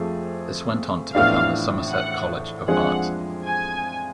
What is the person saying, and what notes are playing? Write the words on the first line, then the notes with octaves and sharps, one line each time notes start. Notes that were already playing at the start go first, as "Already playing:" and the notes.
This went on to become the Somerset College of Art.
Already playing: F2 F3 A3 G#4
A1 A2 F3 B3 D4 F5
F#5
F2 F3 G#3 D4 G#4 F#5
G#5